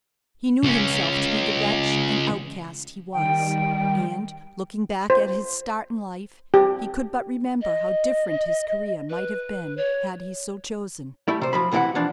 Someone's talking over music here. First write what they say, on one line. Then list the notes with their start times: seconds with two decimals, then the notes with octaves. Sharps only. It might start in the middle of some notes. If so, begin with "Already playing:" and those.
He knew himself to be the wretch and outcast he was; and, looking back at his start in life, he could but remember how different his career might have been had he so chosen.
0.63 C#2 C#4
3.13 D#3 G3 G5
5.10 C5
6.54 G4
7.62 D#5
9.10 B4
9.77 C#5
11.28 G3 A3 E4
11.41 C3 C5
11.53 F3 F#3 B5
11.72 C2 C3 E3 E4 F#4 F#5
11.95 E3 F3 D4